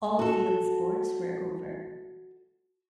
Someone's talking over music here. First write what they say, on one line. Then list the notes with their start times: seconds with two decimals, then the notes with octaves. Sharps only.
All field sports were over.
0.19 F#4 A4